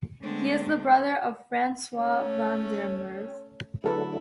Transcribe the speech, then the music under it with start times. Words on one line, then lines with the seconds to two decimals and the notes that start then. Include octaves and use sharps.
He is the brother of François van der Merwe.
0.22 D3 G#3 A3 B3 C4 D4
1.98 A3 C#4 C#5
3.84 D3 F#3 A3 E4 G#4 A4 B4